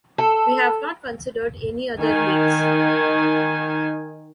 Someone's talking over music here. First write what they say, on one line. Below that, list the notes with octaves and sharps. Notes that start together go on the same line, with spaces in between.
We have not considered any other leagues.
A4
D#3 G#5